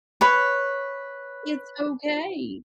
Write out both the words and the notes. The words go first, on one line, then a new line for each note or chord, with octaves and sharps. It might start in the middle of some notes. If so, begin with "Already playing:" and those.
it's okay,
B4 C#5 B5